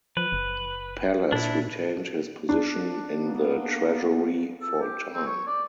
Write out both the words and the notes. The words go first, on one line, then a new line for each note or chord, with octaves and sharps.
Pallas retained his position in the treasury for a time.
F3 B4
F#1
A#2 D4 E4
D4
A#3 B3
A4
G4
C4
C#5
D5